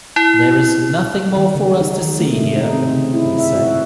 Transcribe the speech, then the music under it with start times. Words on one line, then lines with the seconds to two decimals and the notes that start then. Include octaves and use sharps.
"There is nothing more for us to see here," he said.
0.16 E4
1.37 D#3
1.55 C#3
1.81 D#4
2.02 D#3
2.20 A3
2.36 C3
2.57 D#4
2.73 C4
2.94 C#3
3.14 E4
3.39 E5
3.56 F#4